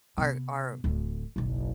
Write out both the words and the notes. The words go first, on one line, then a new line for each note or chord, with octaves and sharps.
our our
C3 B3
D1 D2
F#1 B1